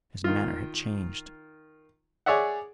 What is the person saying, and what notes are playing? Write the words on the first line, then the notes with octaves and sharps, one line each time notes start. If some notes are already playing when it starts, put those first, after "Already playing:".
His manner had changed.
D#3 F4
G#4 C#5 D5 E5 F#5